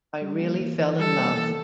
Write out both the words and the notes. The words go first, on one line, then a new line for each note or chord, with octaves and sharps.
I really fell in love.
G3
A#3
E3
E3
G3 A4
A#3
E3